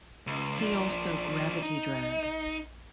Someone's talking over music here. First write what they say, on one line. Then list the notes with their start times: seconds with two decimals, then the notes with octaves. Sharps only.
See also gravity drag.
0.27 C#2
0.59 F3 D4
1.62 D#4